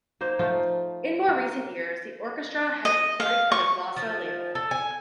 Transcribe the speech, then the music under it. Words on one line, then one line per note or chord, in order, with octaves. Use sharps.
In more recent years, the orchestra has recorded for the Glossa label.
A#3 D#4 C5
F3 A3 D#4 F4
A#3
D#5
F5
C#6
F3
A4
G#5